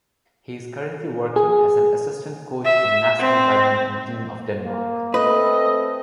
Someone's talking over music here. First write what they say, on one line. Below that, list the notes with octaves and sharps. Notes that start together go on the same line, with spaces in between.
He is currently working as an assistant coach in National badminton team of Denmark.
G#4
E5
C4
A#3
A3 C4 A4 B4 D#5